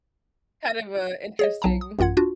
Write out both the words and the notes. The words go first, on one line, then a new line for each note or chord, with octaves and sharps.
kind of a interesting
G#4 C#5 D#5
B1 F#3 A5 A#5
D#6
A1 F#2 F4 F#5 G#6
D4 F4 F#4